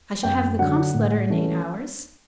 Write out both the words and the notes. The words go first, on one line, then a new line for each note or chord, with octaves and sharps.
"I shall have the comte's letter in eight hours?"
F#2 G5
D3 F#3 F#5
A2
E3 A3 C#4